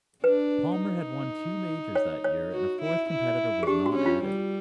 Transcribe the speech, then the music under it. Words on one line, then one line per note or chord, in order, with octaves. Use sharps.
Palmer had won two majors that year and a fourth competitor was not added.
D4 B4
D#4
C#5
C#5
F#4
E4
E4
G#4
D4 G4
F#4
C#4
F4
G3